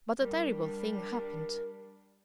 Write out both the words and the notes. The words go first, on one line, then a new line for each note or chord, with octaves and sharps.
But a terrible thing happened!
G3 D4 A#4